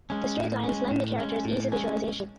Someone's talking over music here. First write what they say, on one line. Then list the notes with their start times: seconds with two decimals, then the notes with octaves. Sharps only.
The straight lines lend the characters ease of visualization.
0.10 G#3 C#4
0.37 A2
0.63 C#4
0.69 G#3
0.91 A2
1.18 G#3 C#4
1.45 A2
1.72 G#3 C#4